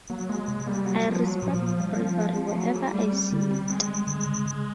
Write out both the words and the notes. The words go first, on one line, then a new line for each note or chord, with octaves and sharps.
I respect bravery wherever I see it.
F#3 A#3
G#3 A#3
C3 G#3
G3 A#3
F#3 A#3
F3 G3
F#3 A#3
A#2 F3
A#3
G3
F3 C4
G#4
C4
F#3 A3
G3 G#4
G3 A3
C4
D3
C4
G#3 C4
G3
D3
C#3
C#3